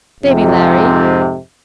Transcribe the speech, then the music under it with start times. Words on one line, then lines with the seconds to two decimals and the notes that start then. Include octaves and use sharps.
"Baby Larry."
0.24 F2 G#2 C3